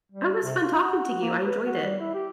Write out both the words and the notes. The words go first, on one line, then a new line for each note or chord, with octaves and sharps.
It was fun talking to you, I enjoyed it.
G3
C3
F4
F#4
A#3
B4
F#4
G3
E4
G4